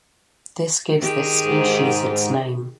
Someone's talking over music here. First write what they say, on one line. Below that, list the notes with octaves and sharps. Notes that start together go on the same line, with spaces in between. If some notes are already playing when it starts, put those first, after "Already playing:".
This gives this species its name.
D#3 G4 G#4
G#2